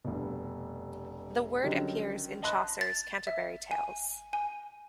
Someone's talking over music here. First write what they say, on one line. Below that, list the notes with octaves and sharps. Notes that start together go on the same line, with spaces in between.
The word appears in Chaucer's "Canterbury Tales".
F1 G2 B2
D3 D#3 F#3 G3 C#4
D#5 A5 B5 C6 F#6
A6
E5
G#5
G#5